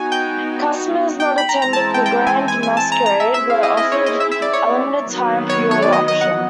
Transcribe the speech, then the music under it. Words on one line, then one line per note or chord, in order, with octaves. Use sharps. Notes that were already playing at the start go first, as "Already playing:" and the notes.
Customers not attending The Grand Masquerade were offered a limited time preorder option.
Already playing: B3 D#4 F#4 G#5
G5
G5
B5
A#5
E3 G#3 C4 E4 A#5
A5
G5
G5
G#5
G#5
G#5
A5
A#5
A#5
E5
C4 E4 G#4 E5
F5
D#5
D#5
C#5
D#5
E5
E5
D5
C#5
D#3 F#3 B3
C#5
C#5
D5
D#5
D#5
F#5